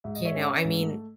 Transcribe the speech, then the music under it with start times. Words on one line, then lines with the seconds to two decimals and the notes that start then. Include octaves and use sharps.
You know, I mean,
0.04 G#2 E5
0.15 G#2 D#5
0.25 C#5 E5
0.35 C#4
0.50 C#4
0.65 G#2
0.80 A3